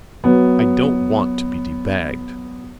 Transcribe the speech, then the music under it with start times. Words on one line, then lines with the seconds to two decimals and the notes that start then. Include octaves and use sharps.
I don't want to be debagged!
0.24 F#3 B3